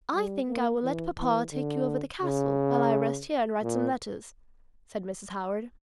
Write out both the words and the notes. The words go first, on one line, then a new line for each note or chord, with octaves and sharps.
"I think I will let papa take you over the castle, while I rest here and write some letters," said Mrs. Howard.
G3
A#3
E3
E3
D3
C#3
A#2